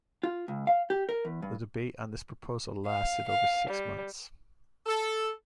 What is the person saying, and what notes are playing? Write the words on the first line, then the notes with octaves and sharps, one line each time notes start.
The debate on this proposal lasted over six months.
F4
C#2
F5
G4
A#4
E2
G2
F5
F5
G3
A4